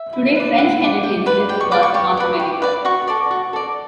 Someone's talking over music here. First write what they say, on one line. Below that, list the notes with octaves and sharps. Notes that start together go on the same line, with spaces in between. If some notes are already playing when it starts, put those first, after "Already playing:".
Today, French Canadians live across North America.
Already playing: E5
E4
B4 D5
E4 F#5
B4 D5
G4
B4 D5
G4 G5
C#6
B4 D5 D6
C#6
G4 C#6
B4 D5
G4
B4 D5
F#4 C#6
A4 D5
F#4
A4 D5